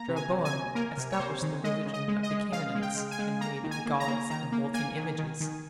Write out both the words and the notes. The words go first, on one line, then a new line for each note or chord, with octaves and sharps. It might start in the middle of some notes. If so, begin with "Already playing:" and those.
Jeroboam established the religion of the Canaanites and made "gods and molten images".
Already playing: A#3 A#5
C3
G#5
C3
G#5
C3
A#3 A#4
C3
C#5
C3 C5
D#3
G#3 D#5
C#3
D#5
G#3
D#5
G#3
C#3 F5
G#3
G5
G#3
G#5
G#3
A#3 A#5
D#3
G#5
A#3
A#5
A#3
D#3 A#5
A#3
A#3 G#5
D#3
D#3
D#3